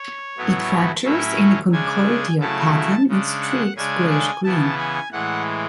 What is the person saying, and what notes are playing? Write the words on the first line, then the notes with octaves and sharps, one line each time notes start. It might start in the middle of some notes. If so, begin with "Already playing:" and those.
It fractures in a conchoidal pattern and streaks grayish-green.
Already playing: C#5
A2 F#3 B3 E4
A2 F#3 C#4 E4 E5
C#3 G#3 D4 G#5
C#3 F#3 A3 E4 A5
C#3 G#3 D4
F#5
C#3 G#3 D4 G#5
G#5
C#3 E3 B3 E4 A5
G#5
A2 E3 G#3 F#5